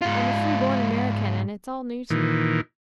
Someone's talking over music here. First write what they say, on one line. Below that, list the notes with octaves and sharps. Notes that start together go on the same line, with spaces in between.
I'm a free-born American, and it's all new to me.
G#2 F4
A#2 D#3 E3